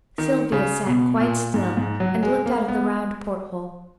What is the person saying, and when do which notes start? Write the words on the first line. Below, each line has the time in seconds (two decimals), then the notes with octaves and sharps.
Sylvia sat quite still and looked out of the round port-hole.
0.18 D#3
0.52 C#3
0.86 B2
1.20 A#2
1.54 G#2
1.77 G#2
2.00 F#3
2.23 G#3
2.46 A#3
2.68 B3